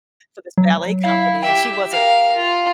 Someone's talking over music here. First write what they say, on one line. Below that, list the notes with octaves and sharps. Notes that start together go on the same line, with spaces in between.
for this ballet company, and she wasn't,
F#3
E4 F5
G4 E5 G5
A#4 F5
F4